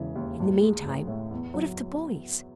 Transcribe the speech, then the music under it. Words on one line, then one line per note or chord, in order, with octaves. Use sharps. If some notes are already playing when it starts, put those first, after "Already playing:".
In the meantime, what of the boys?
Already playing: E1 C#3 E3
D#2
A1
G#3
A1
A2
E2
F#3